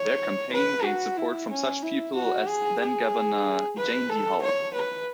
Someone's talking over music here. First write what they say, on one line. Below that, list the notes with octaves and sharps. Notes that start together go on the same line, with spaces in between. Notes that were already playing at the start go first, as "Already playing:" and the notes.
Their campaign gained support from such people as then-Governor Jane Dee Hull.
Already playing: C#5
B4
F#4
E4
C#4
E4
F#4
G#4
G#4
B4
A4
C#5
B4